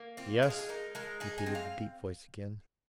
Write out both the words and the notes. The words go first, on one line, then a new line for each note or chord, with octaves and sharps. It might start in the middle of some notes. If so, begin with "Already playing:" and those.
"Yes," repeated the deep voice again.
Already playing: A#3
C4 F4
G#3 G#4
F4
G#4
D#4 A#4
G#3 A#4
D#4 G#4
G#5
C4
F5